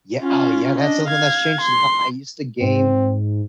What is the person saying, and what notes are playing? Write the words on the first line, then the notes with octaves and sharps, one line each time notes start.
yea oh yeah, that's something that's changed a lot. I used to game
C#4 F4
D4 D#5
F5 G#6
C6
G#2 C4